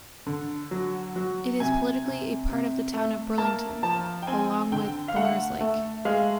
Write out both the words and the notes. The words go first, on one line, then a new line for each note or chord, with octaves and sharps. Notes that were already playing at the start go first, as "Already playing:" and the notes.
It is politically a part of the town of Burlington, along with Bohners Lake.
D3
F#3
F#3
C3 G#5
C3
C3
A3
A#3 A5
F3 A5
G5
C4 G#5
D3 G5
F5
A3 F#5
A3
G#3 F5